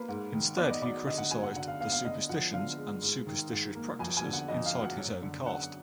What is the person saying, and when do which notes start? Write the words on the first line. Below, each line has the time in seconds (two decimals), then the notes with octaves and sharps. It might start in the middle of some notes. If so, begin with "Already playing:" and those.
Instead he criticized the superstitions and superstitious practices inside his own caste.
Already playing: A#3 B4
0.09 G#2
0.33 D#3
0.57 B3 D5
0.71 D#5
0.82 F#3 D5
1.07 D3 D#5
1.18 F#5
1.31 F#3 G#5
1.43 F#5
1.56 D3 F#5
1.67 F5
1.80 B3 F5
1.92 F5
2.05 D3 D#5
2.29 F3 F#5
2.53 D3 F5
2.77 G#3
3.02 G#2
3.27 D#3
3.52 G#2
3.75 A#3
3.99 F2 G#5
4.17 G#5
4.24 D3
4.33 F#5
4.48 F2 D#5
4.66 F5
4.74 F#3
4.82 F#5
4.98 F#2
5.22 D3
5.46 F#2 F#5